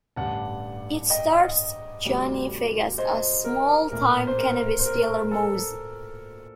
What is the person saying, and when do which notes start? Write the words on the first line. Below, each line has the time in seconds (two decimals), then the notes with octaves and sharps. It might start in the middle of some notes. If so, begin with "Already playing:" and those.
It stars Johnny Vegas as small-time cannabis dealer Moz.
0.16 A1 G2 D3 G3 F#5 A5
1.10 D#5 G5
2.05 D2 C3 G3
2.98 C5 D#5
3.44 A#4
3.91 A#1 A2 A3 A#4
4.27 C5
4.38 A#4
4.79 C5
4.86 A#4
5.31 A4